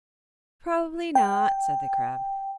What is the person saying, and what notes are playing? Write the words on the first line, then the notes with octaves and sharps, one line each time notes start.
"Probably not," said the crab.
G5